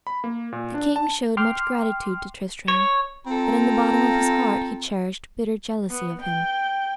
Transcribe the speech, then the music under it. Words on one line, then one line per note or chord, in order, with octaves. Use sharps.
The king showed much gratitude to Tristram, but in the bottom of his heart he cherished bitter jealousy of him.
B5
A#3
A#2
D4
A5
G5 C6 D6 F6
C#5
C4 F4 A4 A#5
B3
G5